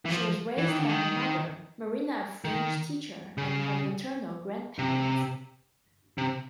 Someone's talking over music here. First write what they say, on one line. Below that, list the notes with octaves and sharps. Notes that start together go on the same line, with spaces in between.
She was raised by her mother, Marina-a French teacher-and her maternal grandparents.
E3
F3
E3
D#3
D3
D#3
D#3
C#3
C3
C3